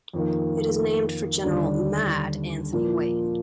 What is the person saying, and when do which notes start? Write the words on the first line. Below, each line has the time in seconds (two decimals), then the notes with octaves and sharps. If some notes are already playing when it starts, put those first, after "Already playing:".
It is named for General "Mad" Anthony Wayne.
0.13 F2 D#3 A#3
1.44 D#2 D3 G3 D4
2.73 A#2 F3 A#3